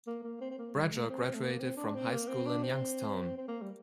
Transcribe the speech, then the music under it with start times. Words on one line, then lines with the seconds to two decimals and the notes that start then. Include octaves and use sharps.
Bradshaw graduated from high school in Youngstown.
0.07 A#3
0.23 A#3
0.41 C4
0.51 C4
0.58 A#3
0.75 G3
0.92 A3
1.09 C4
1.26 C4
1.35 A3
1.43 A#3
1.60 C4
1.77 D4
1.94 C4
2.12 A#3
2.28 C4
2.46 D4
2.63 C4
3.37 C4
3.48 A#3
3.62 G3